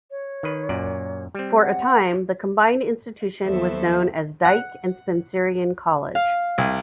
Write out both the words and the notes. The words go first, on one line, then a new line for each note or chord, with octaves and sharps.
For a time the combined institution was known as Dyke and Spencerian College.
C#5
D#3 B4
F#2 A#2 D5
G3 C4
F#5
D#2 F#3 B3 A4 C5 E5
F#5
F5
C2